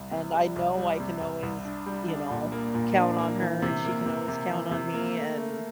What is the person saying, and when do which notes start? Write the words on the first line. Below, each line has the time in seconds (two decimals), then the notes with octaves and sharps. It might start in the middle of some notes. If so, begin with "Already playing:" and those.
and I know I can always, eh, you know, count on her, and she can always count on me, and
Already playing: C2
0.11 C3
0.34 G3
0.56 C2
0.77 G3
1.00 C3
1.21 C2
1.43 C2
1.65 D4
1.86 G3
2.08 D4
2.30 A#2
2.52 A#3
2.74 A#2
2.96 D4
3.18 A#3
3.40 E3
3.62 C3
3.85 A#3
4.06 C3
4.28 C3
4.50 E3
4.71 C3
4.94 A#3
5.15 A3
5.37 A3